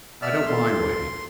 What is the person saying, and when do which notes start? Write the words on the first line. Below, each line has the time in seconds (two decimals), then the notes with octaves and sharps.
I don't mind waiting.
0.22 D5 E5 E6 F6
0.46 A4 C6